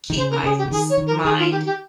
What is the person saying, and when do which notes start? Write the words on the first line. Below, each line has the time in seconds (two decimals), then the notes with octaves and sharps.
keep my s mind
0.10 D#3
0.17 C#3 C5
0.30 A#4
0.43 C#3 G#4
0.57 G4
0.66 C#3
0.71 D#3 G#4
0.89 C#5
0.98 D#3
1.06 A#4
1.24 D#3 G#4
1.38 F4
1.51 G4
1.65 G4